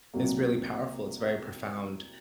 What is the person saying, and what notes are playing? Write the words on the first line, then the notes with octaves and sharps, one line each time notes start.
is really powerful, it's very profound,
C2 C3 F#3 A#3